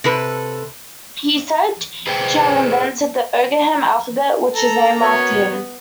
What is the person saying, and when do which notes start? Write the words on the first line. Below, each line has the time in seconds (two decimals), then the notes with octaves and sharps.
He is said to have invented the Ogham alphabet, which is named after him.
0.04 C3 A4 B4
2.07 G#4 B4 C5 G5
4.54 A4 A#5
5.01 B3 F#4 A#4 C#5